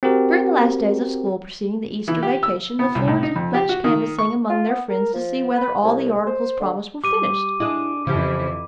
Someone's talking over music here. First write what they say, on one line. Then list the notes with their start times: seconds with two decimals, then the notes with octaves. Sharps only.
During the last days of school preceding the Easter vacation the four did much canvassing among their friends to see whether all the articles promised were finished.
0.03 C4 F#4 G4 A#4
2.08 E3
2.23 G4
2.43 E6
2.79 B3
2.95 C2
3.07 A2
3.23 D#4
3.36 F2
3.54 G4
3.69 F#4
3.84 D#3
4.18 C#6
4.50 F4
4.68 B3
4.89 A#4
5.14 F3
5.56 B4
5.84 C2
6.27 C5
6.60 D3
7.04 G3 D6 D#7
7.60 D4 E4 G#4 D#5
8.07 F2 C#3 E3 F3 C#4 E4 G4